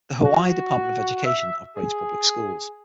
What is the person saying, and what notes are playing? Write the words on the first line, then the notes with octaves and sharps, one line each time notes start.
The Hawaii Department of Education operates public schools.
F#4
E5
G#4